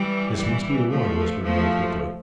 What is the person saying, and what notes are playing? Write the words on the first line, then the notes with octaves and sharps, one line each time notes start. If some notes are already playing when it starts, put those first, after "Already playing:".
'This must be the one,' whispered Anne quickly.
Already playing: E3 G3
E3 G3
F3 A3
F3 A3